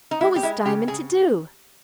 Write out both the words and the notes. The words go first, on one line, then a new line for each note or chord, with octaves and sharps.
What was Diamond to do?
D#4
G#3 E4
G4
G#3 E4
C#3 G4
C#3 G#4